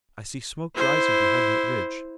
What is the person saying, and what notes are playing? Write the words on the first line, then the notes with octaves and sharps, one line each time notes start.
"I see smoke rising behind that ridge."
E4 C5